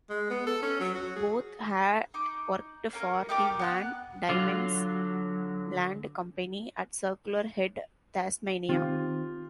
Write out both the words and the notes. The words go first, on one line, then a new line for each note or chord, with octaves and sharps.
Both had worked for the Van Diemen's Land Company at Circular Head, Tasmania.
G#3
B3
A4
C#4
F#3
F#4
G#4
D#4 D6
A#3 C#4 A#4
D#4 G4 A#4 D5
B3 A#5 F#6
D3 F#3 F4
D#3 C4 F4 G4